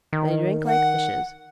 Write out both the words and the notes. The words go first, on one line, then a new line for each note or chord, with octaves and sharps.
They drank like fishes.
D#3
F#5